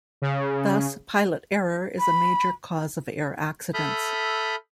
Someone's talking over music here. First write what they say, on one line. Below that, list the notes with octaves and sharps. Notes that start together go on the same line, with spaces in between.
Thus, pilot error is a major cause of air accidents.
C#3
B5
A4 E5 B5 D#6 F6 G6